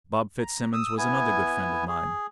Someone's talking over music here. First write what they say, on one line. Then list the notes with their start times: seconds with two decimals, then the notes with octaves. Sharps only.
Bob Fitzsimmons was another good friend of mine.
0.40 A#5
0.73 D#6 E6
0.98 B3 E4 G#5
1.88 G#4